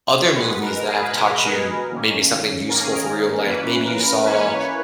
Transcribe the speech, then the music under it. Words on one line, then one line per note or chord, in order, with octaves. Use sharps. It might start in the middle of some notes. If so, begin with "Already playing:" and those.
other movies that have taught you maybe something useful for real life? Maybe you saw,
C#5
B2 G#3 B3 B4
A#4
G#4
B4
B2 G#3 B3 A#4
G#4
A#4
D#3 A#3 C#4
D#3 A#3 C#4 A#4
G#4
A#4
A#4
E3 A#3 C#4 B4
A#4
E3 A#3 C#4 B4
C#5
B4